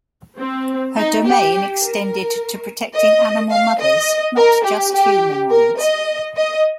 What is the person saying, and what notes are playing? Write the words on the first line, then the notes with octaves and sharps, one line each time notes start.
Her domain extended to protecting animal mothers, not just human ones.
C4
D#4
G4
A#4
D#5
F5
D#5
A#4
G4
G4
A#4
D#5
D#5